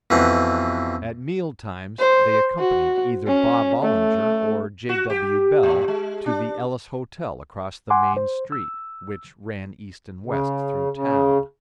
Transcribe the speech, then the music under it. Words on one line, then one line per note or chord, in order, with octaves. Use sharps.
At meal times they accompanied either Bob Ollinger or J. W. Bell, to the Ellis Hotel across the main street, which ran east and west through town.
F2 B2 E3 F#5
C5
F#4
C#4
A3
F#4
G4
A2
G#3
D4
F#5 G#5 C6 D6
C5
E6
C#3
C#3